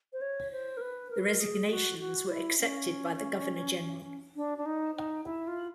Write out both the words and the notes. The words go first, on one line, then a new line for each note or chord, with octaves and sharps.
The resignations were accepted by the Governor General.
C5
C#5
C5
A#4
B4
A#4
B4
A#4
G#4
F#4
F#4
E4
C#4
D4
D4
D#4
D#4
E4
F4